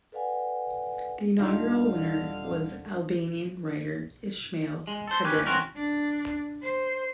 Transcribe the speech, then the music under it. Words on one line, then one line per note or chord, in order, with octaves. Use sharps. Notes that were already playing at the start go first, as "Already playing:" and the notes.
The inaugural winner was Albanian writer Ismail Kadare.
A4 B4 D5 F5 F#5 G#5
D#1 D3 G3 D4 D#4 F4 F5
G#3
A4 C5
C#4 G4 B4
E3 C4 C#4 F#4 A#4
D4
C5